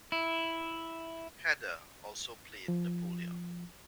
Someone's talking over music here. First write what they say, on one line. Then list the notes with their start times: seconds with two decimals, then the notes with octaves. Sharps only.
Heder also played Napoleon.
0.12 E4
2.68 F3